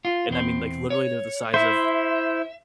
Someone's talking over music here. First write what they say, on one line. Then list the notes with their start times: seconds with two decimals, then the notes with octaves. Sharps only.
and I mean, like, literally they're the size of
0.05 F4
0.30 E2 C4
0.90 C#5
1.54 E4 C5 E5